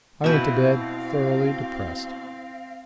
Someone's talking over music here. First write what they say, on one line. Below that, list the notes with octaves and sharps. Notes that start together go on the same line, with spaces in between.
I went to bed thoroughly depressed.
B2 C4 E4 B4 E5 F5 G6